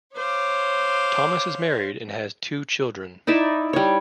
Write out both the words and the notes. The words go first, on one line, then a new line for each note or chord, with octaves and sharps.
Thomas is married and has two children.
C5 C#5 F5 D6
D#4 E4 D5 E5
G3 C#5